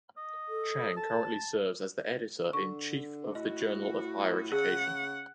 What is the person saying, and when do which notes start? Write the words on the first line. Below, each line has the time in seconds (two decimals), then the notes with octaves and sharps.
Chang currently serves as the Editor in Chief of The Journal of Higher Education.
0.17 D#5
0.49 A4
0.97 A5
2.53 D3 C#6
3.35 A2 F#4 D#5
4.52 C#3 G#4 F#5